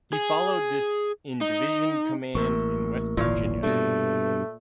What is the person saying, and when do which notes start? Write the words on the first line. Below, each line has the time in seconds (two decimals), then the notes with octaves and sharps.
He followed this in division command in West Virginia.
0.13 G#4
1.41 D#4
2.35 A1 A#3 A#4 C#6
3.17 D1 G#1 A#2 E3 C#5 F5
3.63 G2 B2 A3